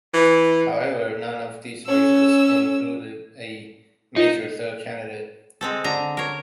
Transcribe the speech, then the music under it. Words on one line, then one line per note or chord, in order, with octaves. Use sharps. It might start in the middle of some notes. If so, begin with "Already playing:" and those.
However, none of these races included a major third candidate.
E3
C#4 E6
D#4 F4
G#3 C4 A4
D3 A#5
A#4 C#5